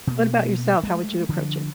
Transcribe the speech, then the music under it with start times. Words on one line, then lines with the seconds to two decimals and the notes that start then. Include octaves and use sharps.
What about yourself? How would you approach it?
0.07 B2 A#3
0.83 G#3 A3
1.29 D3 F3